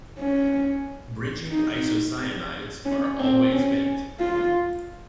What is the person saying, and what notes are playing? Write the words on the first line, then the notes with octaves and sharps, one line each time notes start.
Bridging isocyanides are always bent.
C#4
D#4
C#4
C4
C#4
F4